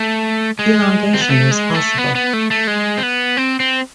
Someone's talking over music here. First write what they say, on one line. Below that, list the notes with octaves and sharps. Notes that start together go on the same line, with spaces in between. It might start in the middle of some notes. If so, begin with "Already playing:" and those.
Elongation is possible.
Already playing: A3
G#3
C4
B3
A3
G#3
A3
B3
B3
A3
A3
G#3
C4
B3
C4
C4